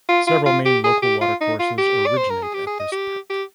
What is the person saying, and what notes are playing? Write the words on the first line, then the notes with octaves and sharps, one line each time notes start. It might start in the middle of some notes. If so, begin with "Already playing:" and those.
Several main local watercourses originate at this park.
F4
F4
F4
G4
G#4
G4
F4
D#4
F4
G4
D5
C5
A#4
G#4
G4
G#4
D#5
G4
G4